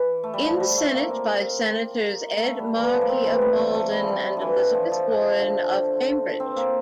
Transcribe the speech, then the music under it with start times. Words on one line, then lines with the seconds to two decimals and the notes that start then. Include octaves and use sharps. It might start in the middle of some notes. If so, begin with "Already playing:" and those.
In the Senate by Senators Ed Markey of Malden and Elizabeth Warren of Cambridge.
Already playing: E3
0.24 A3
0.34 G3
0.43 F3
0.60 G3
0.77 A3
0.87 C4
0.94 A#3
1.10 A#3
2.37 A#3
2.43 A3
2.59 G3
2.75 E3
2.92 F3
3.01 A#3
3.09 C4
3.26 E3
3.41 G3
3.59 A3
3.75 A3
3.91 G3
4.02 F3
4.09 G3
4.37 D3 E3
4.58 G3
4.74 F3
4.92 F3
5.40 D3
6.40 C4
6.56 A#3